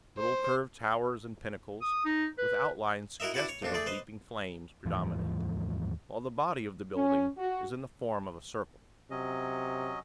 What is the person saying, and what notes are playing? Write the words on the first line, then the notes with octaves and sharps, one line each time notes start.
Little curved towers and pinnacles, with outlines suggestive of leaping flames, predominate; while the body of the building is in the form of a circle.
C5
D#6
D#4
B4
E4 F#4 A#4 D#5 E5
D4 E4 F#4 B4 F#5
C#5
A#1 F2 C4 D4
A3 G#4 D5
B4 C5 D#5
D#2 G#2 E3 F3
C#4
F#4
C3 F#3 C#4 D#5